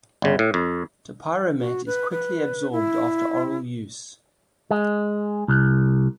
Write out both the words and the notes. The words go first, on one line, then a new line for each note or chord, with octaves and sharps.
Topiramate is quickly absorbed after oral use.
G1 C#3
A2
F2
F#4
B4
B4
E4
G#3
C2